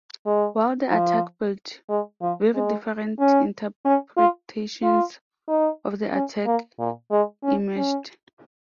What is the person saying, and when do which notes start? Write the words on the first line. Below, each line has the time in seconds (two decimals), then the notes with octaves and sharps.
While the attack failed, very different interpretations of the attack emerged.
0.26 G#3
0.91 F3
1.89 G#3
2.22 F3
2.54 G#3
3.20 C#4
3.85 C#4
4.17 F4
4.83 F4
5.48 D#4
6.13 C#4
6.46 A#3
6.79 A#2
7.11 G#3
7.44 C#4
7.77 C#4